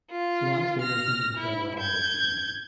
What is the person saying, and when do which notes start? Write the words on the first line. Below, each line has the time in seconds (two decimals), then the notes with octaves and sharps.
Solanas later attempted to kill Warhol by shooting him.
0.11 F4
0.81 F6 A#6
1.37 E4
1.79 G6 G#6